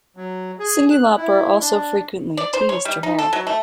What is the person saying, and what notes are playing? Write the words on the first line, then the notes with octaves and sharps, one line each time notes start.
Cyndi Lauper also frequently "teased" her hair.
F#3
G#4
F#6
E4
D4
D5
C5
C#5
G3
D#4
A4
F#3
A3